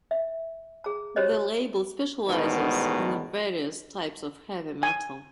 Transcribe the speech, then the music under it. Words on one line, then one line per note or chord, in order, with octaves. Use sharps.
The label specializes in various types of heavy metal.
E5
G#4 A#5
F#4 G4 C5 C#5 D#5
A1 E2 G#2 B2 D#3 B3
G#5